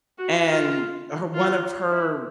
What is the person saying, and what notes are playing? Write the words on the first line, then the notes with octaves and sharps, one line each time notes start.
and her one of her
F#4
F4
F4
E4